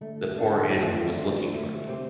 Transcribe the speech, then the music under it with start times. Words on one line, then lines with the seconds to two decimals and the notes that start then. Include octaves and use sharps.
The poor animal was looking for me.
0.01 D3 A3
0.38 D3 D4 A4 C5
0.75 D#3 A3
1.14 D4 A4 C5
1.51 D3 A3
1.88 C3 C4 G4 C5